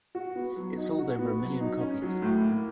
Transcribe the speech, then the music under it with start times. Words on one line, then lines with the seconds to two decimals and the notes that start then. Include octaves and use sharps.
It sold over a million copies.
0.15 F#4
0.35 B3
0.56 F#3
0.78 D#4
0.98 F#4
1.19 B3
1.40 F#3
1.60 D#4
1.81 C#4
2.02 F#3
2.22 A2
2.43 A#3